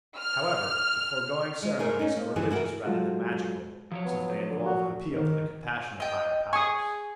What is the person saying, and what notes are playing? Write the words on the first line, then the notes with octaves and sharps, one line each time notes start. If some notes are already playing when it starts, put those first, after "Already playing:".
However, the foregoing ceremonies are religious rather than magical, since they involve an appeal to the compassion of higher powers.
F6
G#3
A3 G#4 A#4
C#4 D#4
A#3
G2 E3 F3 G#4
E4 F#4 G4 A#4
F#3 G#3 F4 F#4 A4
F3 F#3 C#5
B3
D3
F#4
D#3
D#5 G5
G#4 C#6 D#6